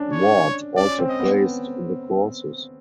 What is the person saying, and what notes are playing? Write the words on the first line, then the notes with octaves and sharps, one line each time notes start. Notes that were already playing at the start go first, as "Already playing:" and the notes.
Ward also praised the courses.
Already playing: C#4 D4
C#5
C#4 D5
C4
D#5
B3